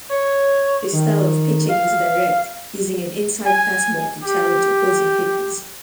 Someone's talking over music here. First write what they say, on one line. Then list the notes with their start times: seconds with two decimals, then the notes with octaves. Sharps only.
His style of pitching was direct; using an inside fastball to challenge opposing hitters.
0.09 C#5
0.92 D#3
1.69 F5
3.46 G#5
4.23 G4